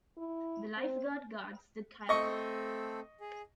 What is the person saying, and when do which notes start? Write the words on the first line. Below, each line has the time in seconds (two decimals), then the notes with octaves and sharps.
The Life Guard guards the castle.
0.17 E4
0.77 C4
2.09 A3 C4 A4 D#5 C#6
3.21 G#4